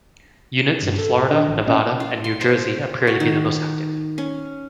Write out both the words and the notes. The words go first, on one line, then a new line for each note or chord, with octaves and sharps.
Units in Florida, Nevada, and New Jersey appear to be the most active.
G2
A4
A#2
D4 D#5
A1
A#2 C#4 D#5
F4
C6
C5
F#4
D#3
C#4